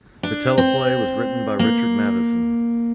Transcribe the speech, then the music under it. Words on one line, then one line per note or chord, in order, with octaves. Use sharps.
The teleplay was written by Richard Matheson.
D4
C4
A#3